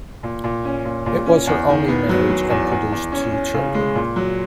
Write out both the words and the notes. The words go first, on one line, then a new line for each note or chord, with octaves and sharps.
It was her only marriage, and produced two children.
A#2
A#2
C#4
A#2
A#2
C#4
E2
D#3
B3
F#3
F#3
E2
E2
E2
C#4
C#4
C#3
G#3
A#2
F#3